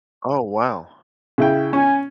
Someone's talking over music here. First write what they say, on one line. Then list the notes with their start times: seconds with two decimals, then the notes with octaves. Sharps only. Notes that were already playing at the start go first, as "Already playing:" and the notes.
Oh, wow.
1.38 C#3 E4 G5
1.73 C#4 G#5